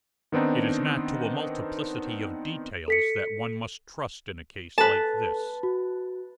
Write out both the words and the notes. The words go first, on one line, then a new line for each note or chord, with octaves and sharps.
It is not to a multiplicity of details that one must trust in a case like this.
D#3 B3 C4 D4 D#4
A4 B6 C#7
A4 B4 A5
F#4